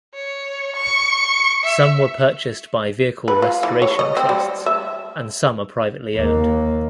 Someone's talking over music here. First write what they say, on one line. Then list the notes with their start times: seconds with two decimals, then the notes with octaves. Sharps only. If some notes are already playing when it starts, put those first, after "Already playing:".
Some were purchased by vehicle restoration trusts and some are privately owned.
0.14 C#5
0.76 C#6
1.64 E5
3.28 B4
3.42 F4
3.63 E3
3.82 C#5
3.99 D#5
4.17 C4
4.29 G3
4.66 E5
6.16 D#2 A#3